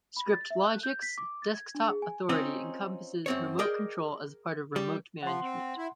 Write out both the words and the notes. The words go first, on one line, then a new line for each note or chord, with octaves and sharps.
Scriptlogic's Desktop Authority encompasses remote control as a part of remote management.
B5
A6
E5
F#6
G6
B6
D6
A6
G#6
D4
G#4
G#5
C4 C#4 D#4 F4
F#2 C4 C#5
G#4 A#4 D5 D#5 G5
G3
F3 F#5 C6
C4
E4